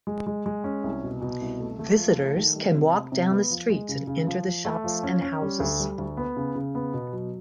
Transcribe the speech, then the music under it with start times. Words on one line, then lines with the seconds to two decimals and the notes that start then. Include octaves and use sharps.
Visitors can walk down the streets and enter the shops and houses.
0.07 G#3
0.27 G#3
0.46 G#3
0.64 C#4
0.84 C2
1.03 B2
1.22 B2
1.41 C2
1.60 A3
1.79 A3
1.99 F3
2.18 A3
2.36 D#3
2.55 G3
2.75 C3
2.94 C3
3.12 C3
3.31 B3
3.50 F3
3.70 G#3
3.89 C#3
4.07 C#3
4.27 F3
4.46 F3
4.65 A3
4.84 F3
5.03 C#4
5.22 C#4
5.42 G3
5.60 D2
5.79 G3
5.98 D2
6.17 B3
6.36 C#3
6.55 C#3
6.75 B3
6.94 B2
7.12 F#3